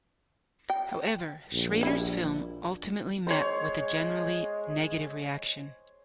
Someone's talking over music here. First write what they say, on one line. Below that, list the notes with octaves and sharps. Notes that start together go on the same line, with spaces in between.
However, Schrader's film ultimately met with a generally negative reaction.
G5
A#1
G3 E4
G#3 C5 C#5